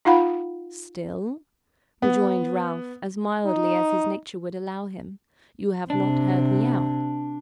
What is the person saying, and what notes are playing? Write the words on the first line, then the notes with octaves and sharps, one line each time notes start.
'Still,' rejoined Ralph, as mildly as his nature would allow him, 'you have not heard me out.
D#4 F4 F5 F#5 B5
B3
D#4
C3 D4